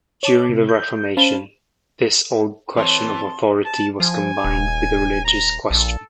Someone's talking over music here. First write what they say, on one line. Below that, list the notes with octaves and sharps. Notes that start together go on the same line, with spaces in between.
During the Reformation, this old question of authority was combined with the religious question.
C#5 A5 D6
C3
G6
C#4 C5 F5 A5 B5
E3 C4 C#5 A5 C6
A5
F3 G#5
D#1
A#5
A#1 A4